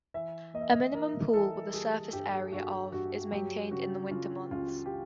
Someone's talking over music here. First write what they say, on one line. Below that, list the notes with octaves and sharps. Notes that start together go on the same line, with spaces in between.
A minimum pool with a surface area of is maintained in the winter months.
E3 E5
A#3 D#5
E5
D#5
E3 A#4
E3 A4
G3 G#4
G2 G4
G2 F#4
G2 F#4
F#3 G4
C#3 F#4
C#3 F4
C#2 F4
G4